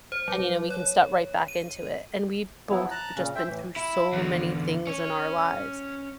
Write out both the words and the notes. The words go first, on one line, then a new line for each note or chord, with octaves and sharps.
and, you know, we can step right back into it, and we've both v just been through so many things in our lives.
C5
F#3
C#5
D#7
F3 F#3 B3 E4
A5 A#5 F#6
A#2 C#3 C#4
C5 E5 G5
A2 E3
E4
E2 D3
C#4 C#5